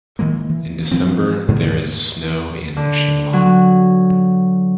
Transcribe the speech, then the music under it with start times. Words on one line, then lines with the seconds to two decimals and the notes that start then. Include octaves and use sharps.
In December there is snow in Shimla.
0.19 D#3 E3 G#3 A#3
0.49 E3
0.91 E3 F3 C4
1.48 G#2 D3 G3 A3
2.76 D3
3.33 F#3